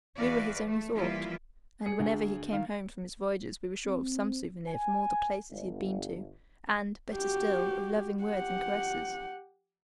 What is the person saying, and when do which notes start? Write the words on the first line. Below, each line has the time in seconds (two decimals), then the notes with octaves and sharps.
We were his only thought: and whenever he came home from his voyages, we were sure of some SOUVENIR from all the places he had been to; and, better still, of loving words and caresses.
0.17 E2 E3 F#4 B4 D5 F5
0.65 A3
0.95 E3 F3 G3 A#3 E4 F4
1.86 G#4 C#7
1.99 D2
2.53 D#3 F5
3.85 C4
4.67 G#5
5.50 G1
7.13 F#4 G4
8.24 G4 F#5